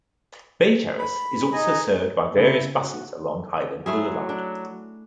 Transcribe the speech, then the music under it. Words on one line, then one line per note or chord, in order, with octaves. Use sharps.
Bay Terrace is also served by various buses along Hylan Boulevard.
B5
D#4 D#5 G#5 A#5
C#3 E4
F#4
F#3 A3 E4 G#4
D4